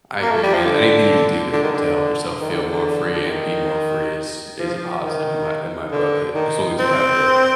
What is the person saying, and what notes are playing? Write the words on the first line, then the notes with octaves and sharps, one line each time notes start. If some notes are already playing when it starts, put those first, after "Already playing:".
I agree, man. Anything you could do to to help yourself feel more free and be more free is is a positive in my in my book, a as long as you have the
A#3
A3
G3
F3
D3
D3
D#3
D3
D#3
D3
D3
D3
D#3
F3
D#3
D3
D#3
C4